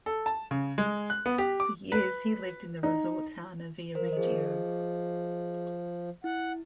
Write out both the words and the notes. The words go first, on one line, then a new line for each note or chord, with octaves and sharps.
For years, he lived in the resort town of Viareggio.
A4
A5
C#3
G#3
F#6
B3
G4
D6
B4
D#4
F3 A#4 C5
F3 G#4 D#5
E4 F#5